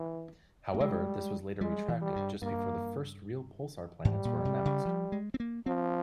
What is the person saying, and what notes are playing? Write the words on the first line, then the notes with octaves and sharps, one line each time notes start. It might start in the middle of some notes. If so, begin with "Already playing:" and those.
However, this was later retracted, just before the first real pulsar planets were announced.
Already playing: E3
A#3
G3 G#3
G3 G#3
E3
G3
G2
G2 A#3
G#2 G3
A#2
C3
C#3
F3
G#3
C4
A#3
F3 C4